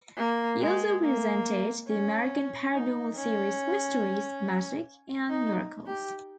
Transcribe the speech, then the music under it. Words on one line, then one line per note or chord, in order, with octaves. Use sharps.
He also presented the American paranormal series Mysteries, Magic and Miracles.
A#3
G#3
A#3
C#4
D#4
C#4
D#4
G4